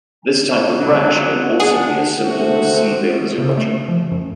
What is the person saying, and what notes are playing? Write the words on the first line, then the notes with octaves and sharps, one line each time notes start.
This type of rash can also be a symptom of Sea bather's eruption.
C#2 D3 F#3
D4 G#4 F#5
C3 A3 F#4 C5
C#3
A3
F3
F#2